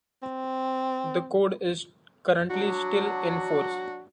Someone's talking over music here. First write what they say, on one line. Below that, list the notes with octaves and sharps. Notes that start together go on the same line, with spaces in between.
The code is currently still in force.
C4
F#3 D4 F#4